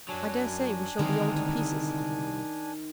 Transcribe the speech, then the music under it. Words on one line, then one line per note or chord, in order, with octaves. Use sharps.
I dare say, we shall be all to pieces.
F#2 F#3 D4 G#5
C2 D3 D#3 G#3